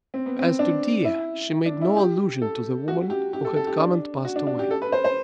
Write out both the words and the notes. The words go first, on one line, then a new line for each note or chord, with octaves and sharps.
As to Dea, she made no allusion to the woman who had come and passed away.
C4
B3
C4
D4
E4
D4
E4
G4
A4
F#4
G4
G4
A4
A4
G4
D4
F#4
D4
D4
G4
A4
B4
C5
C5